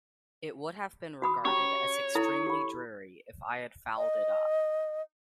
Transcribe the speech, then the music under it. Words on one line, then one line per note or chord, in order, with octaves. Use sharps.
It would have been regarded as extremely dreary if I had fouled it up.
F#4 B5 D#6
C#4 G4 C#5 A#5
E4 A4 A#5
G4 B5
D#5